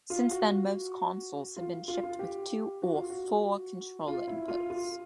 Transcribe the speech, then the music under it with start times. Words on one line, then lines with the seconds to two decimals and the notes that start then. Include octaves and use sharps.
Since then, most consoles have been shipped with two or four controller inputs.
0.10 F4
0.31 F#4
1.57 F4
1.88 F4
2.03 F4
2.19 G4
2.82 F#4
2.95 F4
3.10 F#4
4.08 F4
4.27 E4
4.48 F4
4.70 F4